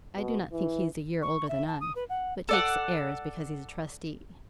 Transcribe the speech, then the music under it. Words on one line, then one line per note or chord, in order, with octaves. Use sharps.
I do not think he is a year older than I, but takes airs because he's a trustee.
B2
E3
C#6
E5
A5
D#6
B4
F#5
A4 D5 F#5